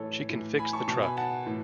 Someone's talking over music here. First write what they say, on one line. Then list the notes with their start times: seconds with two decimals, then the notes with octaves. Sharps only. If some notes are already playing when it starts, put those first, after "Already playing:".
She can fix the truck.
Already playing: A2 E3 A4 C#5
0.29 A2 E3
0.59 G#5 B5
0.73 A5 C#6
0.88 B2 A5 C#6
1.02 G#5 B5
1.17 F#5 A5
1.46 A2 E3